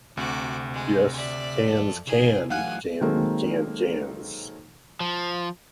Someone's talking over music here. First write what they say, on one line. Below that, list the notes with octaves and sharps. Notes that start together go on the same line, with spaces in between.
Yes, cans can can canned cans.
D2 C3 F#4 D6
G#3
D5 E5
F2 A4
C3 D#4 G#4
E3 F#3 A3 F5 F#5 G#5 F#6
D#3 F#3 G#3 A#3 C4 A4
F3